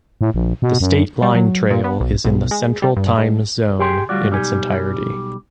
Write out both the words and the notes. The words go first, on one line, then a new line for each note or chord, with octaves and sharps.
The State Line Trail is in the Central Time Zone in its entirety.
A2
A#1
B2
F#2
G3
F#3
A#2
B3
B1
B1
G#3
G3
G2
G#2
G4 G#4 G5 G#5 C6
D2 F#3 G3 F4 F#4 D5
B1 G3 D#4 G4 G#5